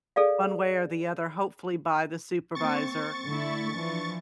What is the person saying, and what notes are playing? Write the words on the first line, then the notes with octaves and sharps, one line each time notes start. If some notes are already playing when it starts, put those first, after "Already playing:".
one way or the other, hopefully by the supervisor.
G#4 A4 D5 F5
A#3 C4 C#6 A6
C4
D3 A3 E4
E3 F3 D4